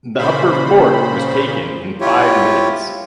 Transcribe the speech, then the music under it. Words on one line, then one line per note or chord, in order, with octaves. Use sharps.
The upper fort was taken in five minutes.
A#2 C#3 C5 B5
E4 F4 G4 C#5